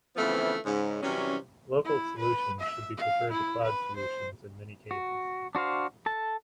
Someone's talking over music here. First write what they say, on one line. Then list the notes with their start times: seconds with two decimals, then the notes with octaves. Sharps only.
Local solutions should be preferred to cloud solutions in many cases.
0.16 C#3 E3 F3 A3 B3 C4
0.65 G#2 C#3
1.02 C3 E3 F#3 G3 C#4
1.84 E4
2.18 B4
2.60 E5
2.97 F5
3.30 E4
3.63 B4
3.96 C5
4.91 F#4
5.55 D4 F#4 C5 F5
6.06 A4 A5